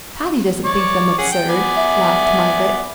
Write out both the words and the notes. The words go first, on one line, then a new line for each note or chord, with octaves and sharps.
"Patty doesn't think them absurd," laughed Margaret.
C#5 D5
C#4 G#4 F#5
G5
B3 D5 G#5
E5